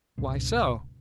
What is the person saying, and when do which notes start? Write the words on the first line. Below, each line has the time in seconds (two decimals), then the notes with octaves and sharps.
"Why so?"
0.18 C#2 G2 B2